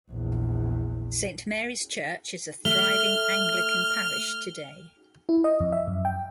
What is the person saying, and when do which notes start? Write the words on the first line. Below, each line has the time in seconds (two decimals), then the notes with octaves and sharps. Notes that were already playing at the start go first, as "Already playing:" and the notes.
Saint Mary's church is a thriving Anglican parish today.
0.11 A#1 E2
2.65 A3 F6 G7
5.29 E4
5.44 D#5
5.60 F2
5.72 E5
5.87 F#2
6.05 G5